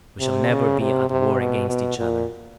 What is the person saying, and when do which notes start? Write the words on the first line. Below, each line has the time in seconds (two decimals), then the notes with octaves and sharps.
We shall never be at war against each other.
0.20 C3
0.50 C#3
0.80 C3
1.10 C3
1.39 B2
1.69 B2
1.98 A#2